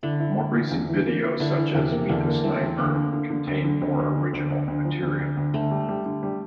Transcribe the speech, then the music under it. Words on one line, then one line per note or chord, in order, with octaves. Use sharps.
More recent videos, such as "Meet the Sniper", contain more original material.
D3 E4
E4
E4
E3
E2
E3
A#3
E4
D3 E4
E3
E2 C3
A#3
E2 D3
A#3
E3 A3 C4
E2
D2 A#3
D3
D3
D3
D2
D3
D2
D2
D3
D2
D2
D2
F3
D2
D2
D2
D2 A3
G3
G3
D3
G3